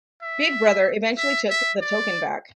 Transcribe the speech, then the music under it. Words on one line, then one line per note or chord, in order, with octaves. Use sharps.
Big Brother eventually took the token back.
E5
E5
E5
D5